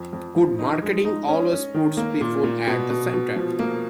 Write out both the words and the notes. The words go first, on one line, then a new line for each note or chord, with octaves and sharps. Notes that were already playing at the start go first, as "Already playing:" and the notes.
Good marketing always puts people at the center.
Already playing: F2
F2
F3
D#4
G#3
D#4
C#4
C#4
D#3
A#3
A#2
A#2
B2
B2
B2
F3
A#3